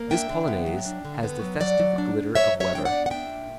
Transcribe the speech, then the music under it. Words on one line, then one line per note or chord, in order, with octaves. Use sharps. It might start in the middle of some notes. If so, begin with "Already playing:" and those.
This Polonaise has the festive glitter of Weber.
Already playing: A#3
D4 E5 G5
D3
B3
F#3
D4
D3
B3
F#3
F#3 D5 F#5
F#3
D4
B3
F#3 C#5 E5
F#3
C#5 E5
D4 G5
D5 F#5
B3
F#5
D4 E5 G5
A#2